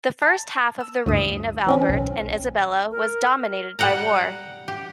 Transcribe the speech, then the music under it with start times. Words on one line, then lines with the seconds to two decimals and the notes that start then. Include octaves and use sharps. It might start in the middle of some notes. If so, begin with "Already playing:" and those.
The first half of the reign of Albert and Isabella was dominated by war.
0.22 A5
0.81 E6
1.06 D2 G2 D#6
1.67 E3 C4 C#4
1.89 B1
2.91 A#4
3.79 G3 F#5 G5 A#5
4.68 G4